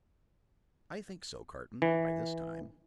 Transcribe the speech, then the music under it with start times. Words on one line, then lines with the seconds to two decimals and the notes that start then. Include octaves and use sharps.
"I think so, Carton, by this time."
1.82 E3